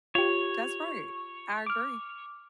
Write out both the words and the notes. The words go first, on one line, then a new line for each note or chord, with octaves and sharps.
That's right. I agree.
F4 G4 C#5
D6 F6